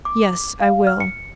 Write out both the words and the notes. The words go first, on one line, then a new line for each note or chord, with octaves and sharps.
"Yes, I will."
D6
F5
F6
C#7